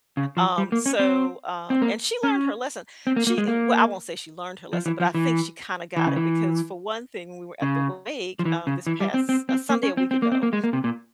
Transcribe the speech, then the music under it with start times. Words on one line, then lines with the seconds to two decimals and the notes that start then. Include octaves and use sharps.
Um, so, um, and she learned her lesson. She eh well, I won't say she learned her lesson, but I think she kinda got it, because for one thing, we were at the wake, um, this past, uh, Sunday a week ago,
0.17 C#3
0.37 F3
0.58 G3
0.72 A#3
0.86 C#4
0.99 C4
1.70 C4
1.82 A#3
2.23 C#4
3.07 C4
3.16 A#3
3.27 A#3
3.38 G#3
3.47 A#3
4.73 F3
4.86 E3
5.00 F3
5.15 E3
5.97 E3
6.06 C#3
6.16 E3
7.62 C#3
8.39 F3
8.45 E3
8.67 C#3
8.87 E3
9.00 G3
9.14 C4
9.29 C4
9.49 C4
9.70 A#3
9.83 C#4
9.97 C4
10.11 C4
10.22 A#3
10.32 C4
10.43 A#3
10.53 G#3
10.64 A#3
10.73 C3
10.84 A#2